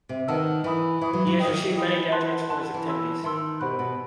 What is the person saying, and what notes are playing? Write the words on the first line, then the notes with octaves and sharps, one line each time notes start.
He has received many death threats for his activities.
C3
D#3 B4 D#5 F#5 A5 E6
E3 B4 E5 B5 D#6
E3 B4 E5 B5 D#6
F#3
F#3
E3 D#5 G5 D#6
D#3
E3
F#3
E3 D#5 G5 D#6
F#5 A5 C6 F#6
E3 F#5 A5 C6 F#6
E3
E5 A5 C6 E6
D#3 E5 A5 C6 E6
B2 G4 C5 F#5 B5 F#6
B2